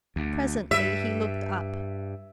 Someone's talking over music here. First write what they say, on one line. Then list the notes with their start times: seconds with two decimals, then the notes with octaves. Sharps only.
Presently he looked up.
0.16 D2
0.71 G2 E5